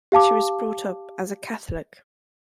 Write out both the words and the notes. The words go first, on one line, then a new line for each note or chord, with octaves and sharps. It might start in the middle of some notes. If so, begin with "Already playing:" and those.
She was brought up as a Catholic.
G4 F5 A5 D6